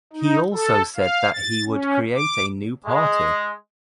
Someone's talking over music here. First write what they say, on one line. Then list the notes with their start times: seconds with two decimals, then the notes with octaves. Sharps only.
He also said that he would create a new party.
0.13 D#4
0.54 A4
0.97 F5
1.33 A6
1.66 C#4
2.15 D6
2.86 G#3